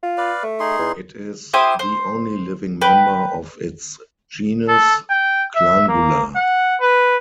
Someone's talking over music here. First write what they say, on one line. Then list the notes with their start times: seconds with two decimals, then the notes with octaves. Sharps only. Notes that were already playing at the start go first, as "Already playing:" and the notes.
It is the only living member of its genus, "Clangula".
0.03 F4
0.17 B4 D5 F5
0.43 A3
0.60 D#4 G#4 C6
0.78 E2
1.53 E4 G4 C5 D#6
1.79 C5
2.81 B4 G5
4.68 A4
5.10 G5
5.55 E5
5.88 A#3
6.36 F#5
6.80 B4